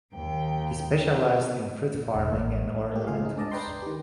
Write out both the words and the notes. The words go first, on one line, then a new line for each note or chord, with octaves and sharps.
He specialized in fruit farming and ornamentals.
D#2 G5
A#2
E1
A1
A3 A#3 G4
C#2 F4 G#4 F5
G#2 D#4
D4 D5 D#5 A5
B4 D5 G5 A#5 C6
D#3 G4